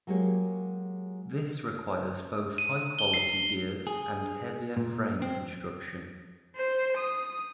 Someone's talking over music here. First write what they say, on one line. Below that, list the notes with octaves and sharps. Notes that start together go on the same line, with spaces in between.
This requires both high quality gears and heavier frame construction.
F#3 G#3 A#3 G4 C#5
D#7
G7
C7
G#4
A#2
C4
C5
D#6